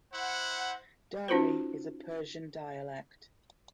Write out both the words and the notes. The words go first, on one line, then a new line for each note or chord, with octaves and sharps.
Dari is a Persian dialect.
E4 C5 F#5
C#4 D#4 F4 F#4 B4 C5